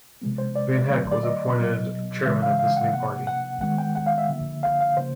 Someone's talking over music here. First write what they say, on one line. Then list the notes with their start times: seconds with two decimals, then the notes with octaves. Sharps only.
Vanhecke was appointed chairman of this new party.
0.22 C3 F3 G#3 B3
0.38 C5
0.56 D5
0.89 D3 F#3 A3
1.11 D5
1.23 D#5
1.57 B2 F#3 B3
2.25 C#3 E3 G#3 E5
2.42 F5
2.59 F5
2.76 F#5
2.93 C3 F3 A#3 F#5
3.27 F#5
3.61 D#3 G#3 B3 F#5
3.78 G5
3.95 F#5
4.06 F5
4.18 E5
4.29 D3 F3 A#3
4.63 F5
4.81 F5
4.97 C#3 F3 A#3 C5